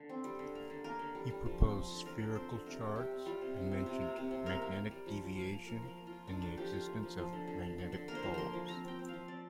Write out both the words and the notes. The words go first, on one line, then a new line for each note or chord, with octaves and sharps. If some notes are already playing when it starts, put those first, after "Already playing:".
He proposed spherical charts and mentioned magnetic deviation and the existence of magnetic poles.
Already playing: D3
C4
G3
D3
A#3
D3
A#3 A#4
D3
G3
G3
F3
C4
F3
D3
F3 A#4
D3
C4 C5
D3
C3 A#4
C3
G3 G4
C4
G3 F4
C3
C3
C4
C3
A#3
C3
C3
A#3 A#4
A#3
A#3
G3
F3
F3
A#3
A#3
F3 A#4
F3
A#4
A#3
F4
A#3
A#3 D4
D3 D4
F3 G4
A#3 F4
A#3
F3
F3
D3
D3
D3
D3
D3
A#3 A#4
C5
F3 A#4
A#3 A#5 C6
F3
C4 A#5
C4 G5
C4
F5
F3
C4 D5